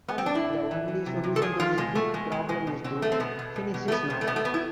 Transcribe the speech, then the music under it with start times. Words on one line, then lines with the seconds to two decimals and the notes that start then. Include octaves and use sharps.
And the only solution to this big problem is to finish his novel.
0.08 B3
0.18 C4
0.26 D4
0.34 A2 E4
0.53 A2
0.71 E3
0.88 E3
1.06 C3
1.24 C3
1.36 A4
1.42 F3 G#4
1.60 F3 F4
1.77 B2 G#3
1.95 B2 A3
2.14 B2 G#3
2.32 B2 G#3
2.48 B2 G#3
2.67 B2
2.84 B2 C4
3.02 B2 A3
3.12 C4
3.20 B2 B3
3.39 B2
3.56 B2
3.74 B2
3.88 A3
3.92 B2 B3
4.10 B2
4.21 A3
4.27 B2 B3
4.36 A3
4.45 B2 B3
4.54 E4